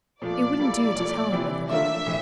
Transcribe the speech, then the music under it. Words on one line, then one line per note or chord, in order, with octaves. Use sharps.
It wouldn't do to tell him of the girl.
A#2 F3 A3 D5
G3 A#3 E4 A4
A#2 F3 A3
C3 E3 G3 C4 E4
D3 A3 D4 F4 A#4 E5
A2 E3